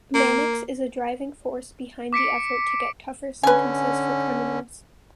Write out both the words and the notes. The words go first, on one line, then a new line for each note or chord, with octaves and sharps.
Mannix is a driving force behind the effort to get tougher sentences for criminals.
A#3
D6 B6 C#7 D7
D3 C#4 B4 G#5